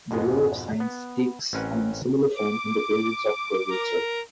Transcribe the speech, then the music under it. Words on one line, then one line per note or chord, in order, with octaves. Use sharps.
The law of sines takes on a similar form in the presence of curvature.
F2 G#2 B2 G#3 B3
B3
A1 C4 C#4 A#4 B4 F#5
D6
A#4